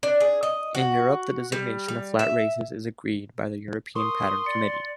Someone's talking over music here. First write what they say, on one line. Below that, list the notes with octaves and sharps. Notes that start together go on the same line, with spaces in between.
In Europe the designation of flat races is agreed by the European Pattern Committee.
D4
G#4
D#5
F#4
G3
G3
E5
A#4 C6 C#6 D#6
D5 C#7